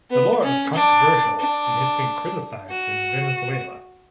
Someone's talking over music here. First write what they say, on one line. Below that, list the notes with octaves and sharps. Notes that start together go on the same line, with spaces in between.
The law is controversial and has been criticized in Venezuela.
B3
C#4
D4
D4
F#4